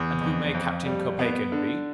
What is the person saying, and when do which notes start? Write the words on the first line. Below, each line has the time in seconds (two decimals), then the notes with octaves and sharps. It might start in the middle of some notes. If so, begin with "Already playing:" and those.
"And who may Captain Kopeikin be?"
Already playing: E2
0.21 F2
0.54 F2
0.86 G3
1.19 B3
1.52 D3